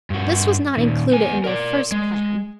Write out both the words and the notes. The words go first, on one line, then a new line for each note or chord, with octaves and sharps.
This was not included in their first plan.
G2 F#4
A#2 D#3
B3 G#5
A#4 D5
G#3